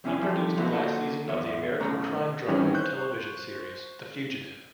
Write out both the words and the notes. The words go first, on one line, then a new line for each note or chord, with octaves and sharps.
He produced the last season of the American crime drama television series "The Fugitive".
E2 C3 C#4 E4 G#5
F3 G3 C4 G4 A4
F3 A3 B3 E4 F#4
A#3 F#4 A4
E2 C#5 E5
B1 F#2 A3 C#4 A#5
D#3 E3 G3 C4 C#4
C5 C#6 F#6 G6